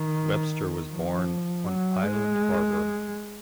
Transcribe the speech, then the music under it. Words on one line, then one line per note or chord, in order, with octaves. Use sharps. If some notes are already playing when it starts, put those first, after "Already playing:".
Webster was born on Island Harbour.
Already playing: D#3
F3
F#3
G#3